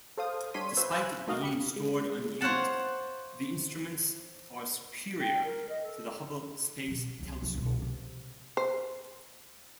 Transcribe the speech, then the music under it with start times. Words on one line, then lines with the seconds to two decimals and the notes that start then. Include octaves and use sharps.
Despite being stored unused, the instruments are superior to the Hubble Space Telescope.
0.18 A4 C5 F5 D#6
0.54 G3 D4 C#5 C6 B6 D#7
0.77 F#4 B4 C5 E5
0.93 C5 F5 G#5 B5 E6 F#6
1.27 A3 A#3 D#4 F#4 D#5 F5
1.42 G4 B5 C#7
1.76 G#3
2.41 C5 C#5 F5 F#5 A5
5.19 G5
5.44 A#4
5.69 D#5
5.83 A4
6.87 B2 F#3
7.19 C2 C#3
7.42 F2 C3
7.55 C2 B2
7.82 C3
8.57 C5